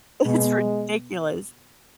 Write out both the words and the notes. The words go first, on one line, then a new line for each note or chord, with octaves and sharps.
It's ridiculous.
B2 G#3